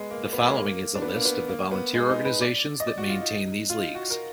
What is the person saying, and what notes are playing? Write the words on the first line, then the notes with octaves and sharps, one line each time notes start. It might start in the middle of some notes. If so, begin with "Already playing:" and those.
The following is a list of the volunteer organizations that maintain these leagues.
Already playing: G#3 B3
A#3
B3
A#3
G#3
A#3
D4
B3
A#3
B3
A#3
B3
G#3
D#4
B4
D5
D#5
D5
F#4
F4
D#4
F4
D#4
F#4
A#4